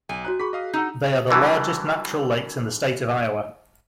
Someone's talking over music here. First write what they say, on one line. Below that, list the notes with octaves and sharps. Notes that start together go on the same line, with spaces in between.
They are the largest natural lakes in the state of Iowa.
B1 G#5
F#4 C#5 A#5 F#6
G#4 B5 C#6 B6
D#5 F5 D#6
D#4 F#5 E6 G6
D3 E3 F#3 G3